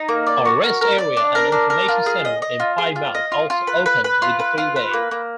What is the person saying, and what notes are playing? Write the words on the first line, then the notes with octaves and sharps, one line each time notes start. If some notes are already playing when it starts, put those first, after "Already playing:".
A rest area and information center in Plymouth also opened with the freeway.
Already playing: D#4
A#3
D5
F#4
A#4
A#4
D5
D4
A#4
D4
A#4
F4
G#4
D#5
D#5
F4
G#4
F4
D#5
F4
F4
B4
B4
B4
F4
B4
F4
B4
A#3
A#3